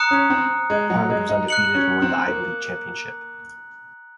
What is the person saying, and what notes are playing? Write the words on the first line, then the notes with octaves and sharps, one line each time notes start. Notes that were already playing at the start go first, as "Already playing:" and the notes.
Harvard was undefeated and won the Ivy League championship.
Already playing: A#5 D#6 F#6 C#7
C#4
C4
G#3
F#3
G#3
D#4
F#6 C#7 F#7
C#4
C4
A#3